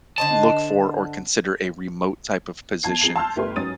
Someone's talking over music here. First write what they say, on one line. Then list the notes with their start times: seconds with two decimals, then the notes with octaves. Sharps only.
look for or consider a remote type of position.
0.18 D3 C5 D#5 A5
2.83 E2 A5 G#6 C7
3.01 F2 G#4 A#5 C7
3.16 A5 C6 E6 F6 G6
3.36 G1 A3 G4 A#4 B4 C6
3.56 G#2 F#3 C#4 D#6 A6 D#7